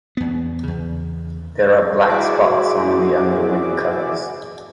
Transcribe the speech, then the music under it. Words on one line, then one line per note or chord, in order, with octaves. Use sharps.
There are black spots on the underwing covers.
E2 B3
E2 C#3
E4 F#4 G#4 D5 E5 D6